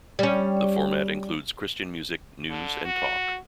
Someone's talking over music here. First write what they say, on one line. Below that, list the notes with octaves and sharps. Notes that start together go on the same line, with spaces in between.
The format includes Christian music, news and talk.
G3 C#4
D3
F#4